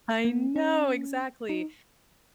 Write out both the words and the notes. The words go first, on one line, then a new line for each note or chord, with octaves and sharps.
I know, exactly.
A#3
C#4
D#4